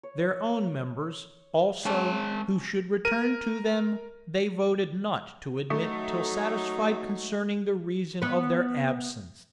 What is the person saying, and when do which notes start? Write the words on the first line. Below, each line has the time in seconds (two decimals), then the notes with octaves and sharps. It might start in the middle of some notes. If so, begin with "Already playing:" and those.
Their own members, also, who should return to them, they voted not to admit till satisfied concerning the reason of their absence.
0.03 C#5
1.85 G#3 C4 C#4 G#4 A5 D6
3.05 A#4 D#7
5.70 F#3 A3 D#4
8.22 B3 B4